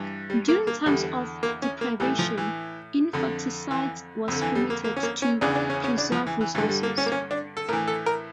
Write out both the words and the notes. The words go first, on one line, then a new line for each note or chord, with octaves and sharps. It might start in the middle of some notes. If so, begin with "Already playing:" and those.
During times of deprivation, infanticide was permitted to preserve resources.
Already playing: G2 E3
G3
A#3
A#3
E2 D3 G3
A#3
C#4
A#3
A2 E3 G3
F3
E3
F2 D3
E3
F2 D3
E3
G3
A#3
A#3
C#4
A#3
C#4
E2 C#3 E3 D4
D4
C#4
C#4
D4
F3
E3
E3
G2 D3 E3
G3
A#3
C#4
A#3
C#4
D4
A4
A2 E3 A#4
A4
A#4